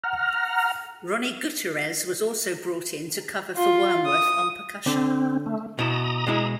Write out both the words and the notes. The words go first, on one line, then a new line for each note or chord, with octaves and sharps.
Ronnie Gutierrez was also brought in to cover for Wormworth on percussion.
F#5 A#5 F6
F4
D#6
D3 C4
A3
B2 E4 A#5 D#6
B2 G#3 E4